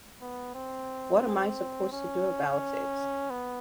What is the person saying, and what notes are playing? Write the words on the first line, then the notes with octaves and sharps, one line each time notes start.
What am I supposed to do about it?
B3
C4
C#4
B3